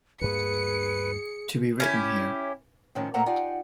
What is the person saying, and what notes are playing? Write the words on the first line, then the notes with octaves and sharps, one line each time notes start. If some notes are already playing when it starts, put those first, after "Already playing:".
To be written here.
D2 G2 A#3 G#4 B4 C#7
C#4 E4 G4
A2 D#3 F3 C#4
A#2 A3 A#3 C4 F#5 A#5
D#4 F4 G4 D5 F#5 G#5